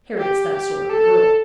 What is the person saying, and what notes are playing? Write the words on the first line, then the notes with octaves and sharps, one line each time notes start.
Harriet's that sort of a girl.
G4
G4
A4